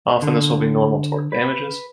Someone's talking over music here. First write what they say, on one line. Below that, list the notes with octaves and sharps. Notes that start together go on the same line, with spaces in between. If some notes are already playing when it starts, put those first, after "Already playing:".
Often this will be normal tort damages.
D3
B4